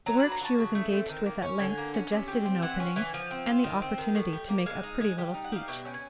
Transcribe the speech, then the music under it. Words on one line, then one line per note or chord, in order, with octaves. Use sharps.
The work she was engaged with at length suggested an opening, and the opportunity to make a pretty little speech.
F#3 A#5
D4 B5
A#5
F#4 A5
C#3
A3
C4
D#3
A#3
C#4
D3 G#5
A#3
C#4
C3
G3
C4
E3 F#5
C#4
E3
F3
C4
F4
D#3
C4
D#3
A2
G3
A#3
G#3 F5
D#4
G#3
G3
D#4
F#5
G3 F5
B2 E5
C#4 G5
G#5